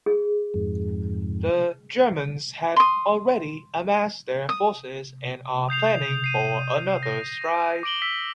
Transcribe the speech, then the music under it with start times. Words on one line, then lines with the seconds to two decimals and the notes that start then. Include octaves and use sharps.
The Germans had already amassed their forces and are planning for another strike.
0.06 G#4
0.54 F2 G#2
2.76 C6 D#6
4.49 D#6
5.69 D#6 G6 C7 F7
6.24 C7 D#7 F7
7.03 A#6
7.83 D6 A#6 D7 F#7 G7
8.02 E6 B6